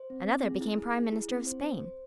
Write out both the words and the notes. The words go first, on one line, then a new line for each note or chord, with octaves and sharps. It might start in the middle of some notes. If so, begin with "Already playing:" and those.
Another became Prime Minister of Spain.
Already playing: C5
C4
C4
G#4
E4
G#4
G#4
E4
C4
C5
C5
C5